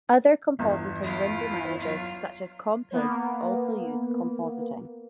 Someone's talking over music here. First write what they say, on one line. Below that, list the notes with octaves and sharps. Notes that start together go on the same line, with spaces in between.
Other compositing window managers such as Compiz also use compositing.
G1 E2
E4 F4
F#3 F4
A#3 B3